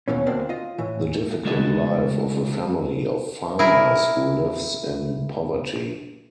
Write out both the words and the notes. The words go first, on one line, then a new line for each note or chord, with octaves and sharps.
The difficult life of a family of farmers who lives in poverty.
D#2 B2 E3 C#4
D2 A#3 C4 D4
F4 D#5
A2 E3
C#3 G#3 A3 F#4 A4 D#5
E4 G#4 A#4